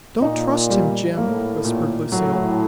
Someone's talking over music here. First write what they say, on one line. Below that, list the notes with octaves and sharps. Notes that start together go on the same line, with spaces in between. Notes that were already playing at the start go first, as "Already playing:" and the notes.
"Don't trust him, Jim," whispered Lucille.
A#2 D#4
G3
A2 A#3
A#2
A2 F#3